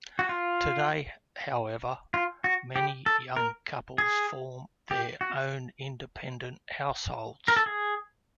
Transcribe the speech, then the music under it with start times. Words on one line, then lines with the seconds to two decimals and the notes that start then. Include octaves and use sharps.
Today, however, many young couples form their own independent households.
0.19 F#4
0.29 F4
2.14 F4
2.44 F#4
2.76 G4
3.06 A4
3.37 A#4
3.98 G#4
4.91 G4
5.21 F#4
7.48 A#4
7.56 A4
7.66 G#4